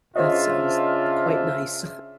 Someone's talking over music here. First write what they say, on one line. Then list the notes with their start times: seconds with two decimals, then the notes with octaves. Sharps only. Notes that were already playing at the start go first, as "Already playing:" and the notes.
That sounds quite nice.
0.16 C#3 D4 F4 C5 C#5 D#5 E5